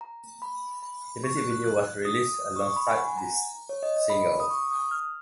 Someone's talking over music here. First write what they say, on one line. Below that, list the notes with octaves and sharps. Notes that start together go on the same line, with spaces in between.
The music video was released alongside the single.
A#5
B5
B5
C#6
F#6
F#6
F#6
D#6
D#6
C#6
C#6
B5
G#5
F#5
G#5
A#5
C#5
D#5
D#5
B5
D#6
C#6
D#6
F6